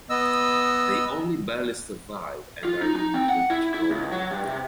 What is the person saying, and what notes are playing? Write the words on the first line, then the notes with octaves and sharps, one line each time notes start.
They only barely survive and are reunited with Robyn.
B3 D#5 E6
F4
D#4
D#4
C4
F#5
E4
E4
C#2
F#3
G2
C3